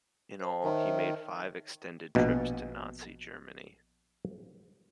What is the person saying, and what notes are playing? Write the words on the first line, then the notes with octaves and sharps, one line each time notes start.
In all he made five extended trips to Nazi Germany.
C5 A5
D#3 C5 C#5 E5
A#1 B2